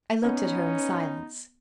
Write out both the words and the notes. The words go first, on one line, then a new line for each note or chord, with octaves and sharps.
I looked at her in silence.
B3 C#4 D#4